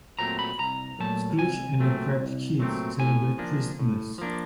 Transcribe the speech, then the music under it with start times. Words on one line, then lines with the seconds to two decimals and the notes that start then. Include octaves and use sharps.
Scrooge and the Cratchits celebrate Christmas.
0.19 A#2 F#3 A3 C4 A#5
0.39 B5
0.59 C2 A#5
0.99 A#2 F#3 A3 A5
1.39 C2 G#5
1.80 A#2 F#3 A3 C4
2.19 C2
2.59 A#2 F#3 A3 C4
2.99 A2 G#5
3.38 F3 A#3 D4
3.79 A2
4.18 F3 A#3 D4